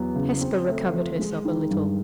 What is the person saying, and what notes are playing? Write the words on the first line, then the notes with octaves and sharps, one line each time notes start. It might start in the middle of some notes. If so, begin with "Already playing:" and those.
Hesper recovered herself a little.
Already playing: E2 F#3 B3
C#3
C4
A3
F3
G#3
D#3
G2